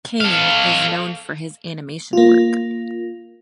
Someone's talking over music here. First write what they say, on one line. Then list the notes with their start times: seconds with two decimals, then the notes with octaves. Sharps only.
Kane is known for his animation work.
0.21 A4 F5
2.13 A#3 F4